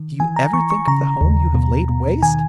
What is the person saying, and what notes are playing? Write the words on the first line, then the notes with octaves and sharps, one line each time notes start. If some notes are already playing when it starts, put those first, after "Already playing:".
Do you ever think of the home you have laid waste?'
Already playing: D#3
E3 G#5
A#5
E3 C#6
C#6
C#3 A#5
D#2
B2
B2
D#3 G#5